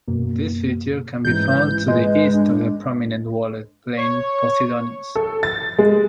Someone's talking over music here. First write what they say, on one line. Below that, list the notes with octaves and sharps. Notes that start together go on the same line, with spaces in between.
This feature can be found to the east of the prominent walled plain Posidonius.
F#2 B2 A#3
A1 G#2 E3 G6
G#3 B4
D4
C#5
A4
A6
G#3